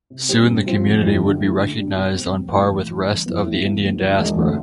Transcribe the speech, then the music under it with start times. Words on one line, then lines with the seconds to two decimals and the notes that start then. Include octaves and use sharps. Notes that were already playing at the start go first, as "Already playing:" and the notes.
Soon the community would be recognized on par with rest of the Indian diaspora.
0.10 C3
0.29 G3 C4 G4
0.48 G2
0.66 F3 C4 F4
0.85 F1
1.03 F2 E3 G3
1.22 D3
1.40 A3 E4
1.58 D3
1.78 G3 D4
1.96 B2
2.15 G3 C4
2.32 F1
2.52 E2 B2 A3
2.70 A1
2.89 A2 E3
3.07 G1
3.26 F2 E3 B3
3.44 A2
3.63 E3 B3
3.82 D2
4.00 D3 F3
4.19 E1
4.36 D2 D3 A3 D4